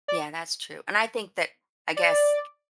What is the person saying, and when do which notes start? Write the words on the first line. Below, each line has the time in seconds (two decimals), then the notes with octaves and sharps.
Yeah, that's true. And I think that, I guess,
0.08 D5
1.97 D5